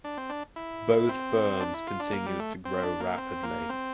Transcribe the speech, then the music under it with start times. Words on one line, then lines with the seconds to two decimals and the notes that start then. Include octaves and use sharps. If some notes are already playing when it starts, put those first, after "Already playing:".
Both firms continued to grow rapidly.
0.04 D4
0.18 C4
0.30 D4
0.56 E4
1.09 C4
1.60 D4
1.74 E4
1.87 F4
2.00 D4
2.13 A#3
2.26 G3
2.40 A3
2.65 C4
2.83 D4
3.00 A#3
3.18 C4
3.43 A#3
3.69 C4